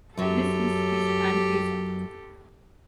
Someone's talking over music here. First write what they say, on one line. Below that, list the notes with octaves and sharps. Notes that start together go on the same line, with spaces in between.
This is his Pantheism.
F#2 F#3 G4 A4